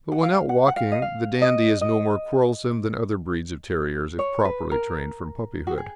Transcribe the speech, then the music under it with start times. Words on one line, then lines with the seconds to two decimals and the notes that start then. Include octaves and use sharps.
But when out walking the Dandie is no more quarrelsome than other breeds of terriers, if properly trained from puppyhood.
0.12 F#5
0.23 F5
0.49 F#5
0.67 F#5
0.76 F5
0.92 D#5
1.02 F5
1.42 D#5
1.81 D#5
4.19 C#5
4.45 B4
4.71 A#4
5.67 F#4
5.78 G#4